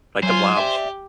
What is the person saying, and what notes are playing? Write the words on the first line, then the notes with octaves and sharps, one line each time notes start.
like the blobs?
F#3 F4 C5 G#5
G4 D5 E5